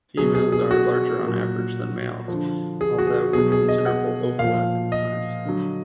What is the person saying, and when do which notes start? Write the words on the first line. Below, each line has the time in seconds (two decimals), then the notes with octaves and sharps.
Females are larger on average than males, although with considerable overlap in size.
0.17 B2 F#3 G#4
0.35 G#4
0.52 G#4
0.71 F#4
1.23 A#2
1.28 F#3
2.28 D3 F3
2.81 G#4
2.98 F#4
3.07 G#4
3.33 B2 F#3 G#4
3.52 G#4
3.68 D#5
3.86 F#5
4.39 A#2 F3 F5
4.92 D#5
5.45 D3 F#3